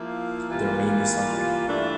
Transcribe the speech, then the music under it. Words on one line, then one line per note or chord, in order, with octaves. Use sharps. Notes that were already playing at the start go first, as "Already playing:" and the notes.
There may be something.
Already playing: F3 A#3 E4
E3 G3 A#3 F4
G2 E3 A3 D4